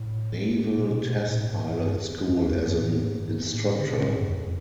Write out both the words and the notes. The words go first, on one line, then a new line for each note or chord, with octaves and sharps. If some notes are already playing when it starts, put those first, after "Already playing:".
Naval Test Pilot School as an instructor.
Already playing: A2
A#2
B2
B2
A#2
A2
G#2
G2
F2
E2
F2
G2
A2
G#2
G#2
A2
D3
A#2
A2
G2
F2